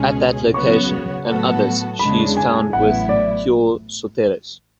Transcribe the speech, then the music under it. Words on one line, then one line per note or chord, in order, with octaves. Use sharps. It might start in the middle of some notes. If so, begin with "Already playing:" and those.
At that location and others she is found with "theoi soteres".
Already playing: C#2 B2 G#3 C#4 G#4
C#3 F#3 B3 F#4 C#5 C#6
A2 F#3 B3 F#4 A4
E2 C#3 G#3 D4 B5
G#5
A1 A2 F#3 B3 E4 F#5
D5